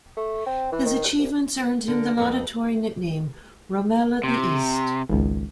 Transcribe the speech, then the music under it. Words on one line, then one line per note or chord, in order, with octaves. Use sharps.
His achievements earned him the laudatory nickname "Rommel of the East".
A3
C4
E3
D#3
C2
D3 A#4
F2 B3 C4
C3
G#1 C#2